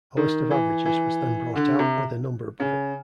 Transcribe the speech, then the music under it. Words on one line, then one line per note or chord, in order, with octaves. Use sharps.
A list of averages was then brought out, with a number above it.
D#3
E3
E3
D3
C3
C#3